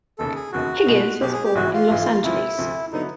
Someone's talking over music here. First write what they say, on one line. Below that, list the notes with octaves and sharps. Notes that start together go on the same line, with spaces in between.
Higgins was born in Los Angeles.
E1 D#2 C#3 A4
G#4
E1 D#2 C#3 F#4
B1 B2 G#3
B1 B2 G#3 G4
G#4
G4
A#1 G#2 E3 F#4
F4
A#1 G#2 E3
D2 C3 F3 E4
D2 C3 F3
D3 F#3 B3 D#4